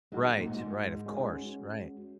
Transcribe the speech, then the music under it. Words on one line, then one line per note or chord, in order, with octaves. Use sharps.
Right, right, of course, right.
F#3 G#3 D#4 F#4
D#3
A#2
G#2
G#2
G#3 C#4 F#4